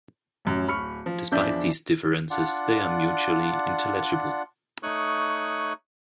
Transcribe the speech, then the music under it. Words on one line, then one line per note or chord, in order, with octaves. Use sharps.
Despite these differences, they are mutually intelligible.
A1 F#2
D1 B5 C#6 F6 C#7
F3
E2 F3 D4 E5 G6
D4 F4 D5 F#5
A3 D#4 C#5 C#6 D#6 F#6